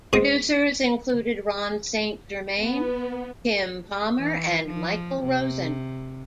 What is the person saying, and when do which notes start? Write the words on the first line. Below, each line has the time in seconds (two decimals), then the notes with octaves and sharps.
Producers included Ron Saint Germain, Tim Palmer, and Michael Rosen.
0.13 G#2 C4 D#6
2.60 B3
4.18 E3
4.67 F3
5.22 C3